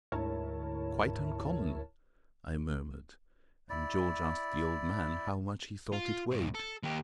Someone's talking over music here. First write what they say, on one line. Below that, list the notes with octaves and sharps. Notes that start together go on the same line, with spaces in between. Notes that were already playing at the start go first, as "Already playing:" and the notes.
"Quite uncommon," I murmured; and George asked the old man how much he thought it weighed.
D2 G#2 E4 A#4 C#5 A5
E4 D5
F4
G2 B2
A4
D#2 G4